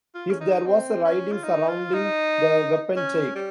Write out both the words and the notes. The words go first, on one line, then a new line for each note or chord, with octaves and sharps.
If there was a riding surrounding the wapentake.
F4
C#4
D#4
C4
C#4
F4
D#4
F4
D#4
C#4
G3